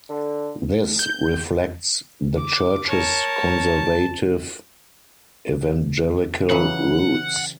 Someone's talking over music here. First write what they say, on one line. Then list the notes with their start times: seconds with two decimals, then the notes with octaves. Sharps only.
This reflects the church's conservative Evangelical roots.
0.10 D3
0.99 G6
2.37 D6
2.88 A#4 C#5 A5
6.50 C#3 E3 F#3 F#5